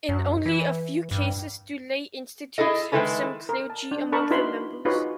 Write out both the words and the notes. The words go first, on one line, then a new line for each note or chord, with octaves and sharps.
In only a few cases do lay institutes have some clergy among their members.
F#2
E3
G2
E4 G#4 A4 D#5
D#3 F3 G#3 E4 A4 B4
A#4
A5
D4
D4 A#4 A5 B5 C#6
D#4 E4 F#4 B4 B5 C6
D#4 F4 F#4 G#4 B4 C#5